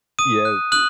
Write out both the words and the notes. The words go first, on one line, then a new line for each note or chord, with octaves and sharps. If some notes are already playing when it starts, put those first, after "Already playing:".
Yeah, th
D#6 D#7
F#6
D#6 F#6 F#7